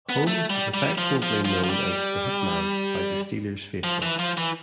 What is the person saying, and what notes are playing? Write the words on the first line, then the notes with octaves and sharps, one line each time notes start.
Holmes was affectionally known as "The Hit Man" by the Steelers' faithful.
B3
A3
G3
G3
F3
F3
F3
F3
G3
F3
E3
F3
E3